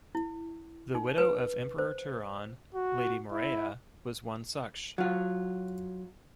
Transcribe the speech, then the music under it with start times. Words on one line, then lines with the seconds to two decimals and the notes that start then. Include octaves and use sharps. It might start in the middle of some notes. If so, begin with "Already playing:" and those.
The widow of Emperor Turhan, Lady Morella, was one such.
0.15 E4
0.95 D#4
1.18 B4
1.78 C5
2.74 F#4
3.31 E4
4.98 F#3 F4